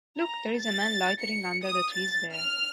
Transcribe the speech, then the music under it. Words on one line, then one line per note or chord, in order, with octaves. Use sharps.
Look, there is a man loitering under the trees there.
A#5
A6
C#7
D#6
A6
F6